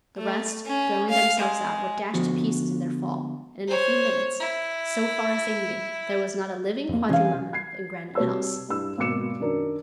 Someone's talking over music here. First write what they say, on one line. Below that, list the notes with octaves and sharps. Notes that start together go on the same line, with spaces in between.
The rest, throwing themselves out, were dashed to pieces in their fall, and in a few minutes, so far as they knew, there was not a living quadrumana in Granite House.
A3
C#4
F5
G#3
D3 F3 B3 F#4
C5 C#5
E4
F2 A#3
C3 E3 C#4 G#4 F5
G#6 C7
C2 F#4 C#5 A5 E6
G2 E4 E6
G#1 B2 A#3 D6 C#7 E7
F#2 D#3 D4 A#4